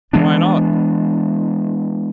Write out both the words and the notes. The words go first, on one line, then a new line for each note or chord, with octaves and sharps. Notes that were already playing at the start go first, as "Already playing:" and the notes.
"Why not?"
E3 G#3 B3 D4